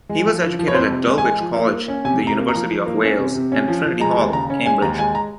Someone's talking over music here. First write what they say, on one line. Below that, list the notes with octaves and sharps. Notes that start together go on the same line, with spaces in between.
He was educated at Dulwich College, the University of Wales and Trinity Hall, Cambridge.
G#3
F3
F3
F3
C#5
F2 C5
C3
G#3
G#5
G#3
F3
A#3
A#3
C#4
C3 G#5
C3
A#5
A#3
A#5
F3
F3
A#3
C#4
C3
C3
C#4
F3
F3
G#3 A#5
D#2
C#3 A#5
C#4
G#3 G#5
D#2 A#5
G#3 G#5
A#5